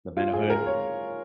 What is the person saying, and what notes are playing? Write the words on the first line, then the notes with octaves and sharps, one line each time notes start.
The Vent-A-Hood?
F4
G#4
A#4
C#5